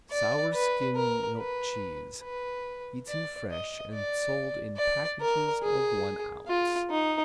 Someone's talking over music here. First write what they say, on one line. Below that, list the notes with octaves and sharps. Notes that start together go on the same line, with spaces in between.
Sour skim milk cheese, eaten fresh and sold in packages of one ounce.
D5
B4
A#4
B4
B4
D5
D#5
D5
D5
A#4
G#4
F4
D#4